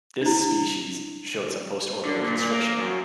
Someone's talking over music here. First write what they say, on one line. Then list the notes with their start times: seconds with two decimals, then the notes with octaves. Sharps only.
This species showed some postorbital constriction.
0.21 D4 E4
2.05 D3
2.21 A#2
2.37 A#2
2.50 A#3
2.79 F#2